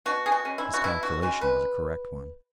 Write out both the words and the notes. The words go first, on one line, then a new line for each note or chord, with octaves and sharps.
His calculation was a correct one.
B2 F#4
G#4
F#4
G#3 C#4
E4
F#4
B2 E4
F#4
G#3 C#4 F#4
B4